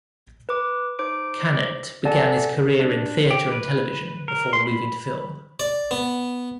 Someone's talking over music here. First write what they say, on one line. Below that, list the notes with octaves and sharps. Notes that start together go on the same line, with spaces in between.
Canet began his career in theatre and television before moving to film.
B4 D6
D#4 C5 D6 D7
A4 D5 F#5 G#5 A5
D4
G4
B4
A#4
C6
B5
D5
B3